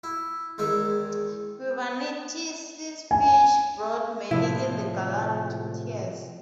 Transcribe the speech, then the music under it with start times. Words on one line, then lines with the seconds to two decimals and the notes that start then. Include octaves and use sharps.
Giovannitti's speech brought many in the gallery to tears.
0.04 E4
0.58 E2 D#3 G#3 E5
3.11 G#5
4.31 A2 C3 F3 E4